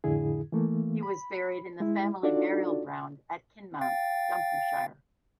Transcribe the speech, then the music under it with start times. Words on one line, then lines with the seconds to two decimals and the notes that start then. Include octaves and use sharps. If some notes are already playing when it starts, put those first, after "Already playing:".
He was buried in the family burial ground at Kinmount, Dumfriesshire.
0.04 F2 A2 D3 E4 G#4
0.52 E3 A3 A#3
1.03 B5
1.80 G#3 E4
2.23 D4 D#4 F4 F#4 A4 D5
3.81 F5 G5 A6